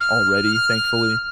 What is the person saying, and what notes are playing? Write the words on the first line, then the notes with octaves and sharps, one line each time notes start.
already, thankfully.
F6